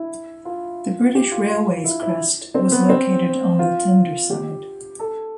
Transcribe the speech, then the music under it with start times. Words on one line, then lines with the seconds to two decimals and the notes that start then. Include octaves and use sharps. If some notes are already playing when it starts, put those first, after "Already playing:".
The British Railways crest was located on the tender side.
Already playing: E4
0.45 F4
1.15 G4
1.32 F4
1.84 E4
2.02 E4
2.54 C4
2.72 B3
2.89 C4
3.59 F4
4.30 G4
4.99 A4